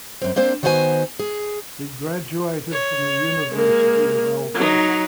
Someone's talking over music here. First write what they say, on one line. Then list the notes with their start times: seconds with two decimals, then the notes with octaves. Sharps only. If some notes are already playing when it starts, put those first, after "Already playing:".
He graduated from the University of Alberta.
0.22 F#2 C4
0.36 A#3 C4 D4 C5
0.63 D#3 B3 F#4 C5 F5 G#5
1.20 G#4
2.72 C#5
3.51 G#3 A#3
4.55 F#3 D#4